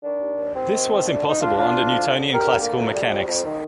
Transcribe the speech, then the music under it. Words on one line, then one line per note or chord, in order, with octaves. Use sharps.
This was impossible under Newtonian classical mechanics.
D#3 D4
D#2
D#2
D#2 C4
D#3
A3
D2 D4
D2
D#4
D2 D4 F4
D2 D4 F4
D2
F3
D3
D2
G4 A#4
D3
A#3
D2
G3
F2
F2
D#3